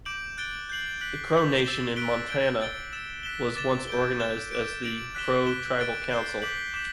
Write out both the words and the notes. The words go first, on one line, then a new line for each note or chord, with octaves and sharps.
The Crow Nation in Montana was once organized as the Crow Tribal Council.
D6 G6 D7 F#7
F#6 A6 D7 G7
G6 C7 F#7
F#6 B6 F#7
G6 B6 F#7
E6 A6 E7 G7
F#6 B6 D7 G7
A6 D7 G7
E6 A6 D7 G7
E6 A6 E7
F#6 B6 E7 G7
D6 A6 E7 G7
G6 D7 G7
A6 E7 G7
D6 G6 D7
A6 D7 F#7
F#6 B6 E7 G7
F#6 B6 E7 G7
F#6 A6 D7 G7
G6 C7 G7
D6 G6 B6 F#7
D6 G6 B6 E7